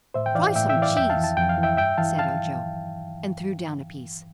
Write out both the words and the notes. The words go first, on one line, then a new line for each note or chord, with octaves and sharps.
"Try some cheese," said Ojo, and threw down a piece.
A2 C5 E5
G5
E3 D5 F5
A2 E5 G5
E5 G5
E3
D5 F5
F2 E5 G5
F5 A5
E3
A5
F2 G5
F5
E3
E5 G5
G2 E5 G5
E3 F5 A5
F5 A5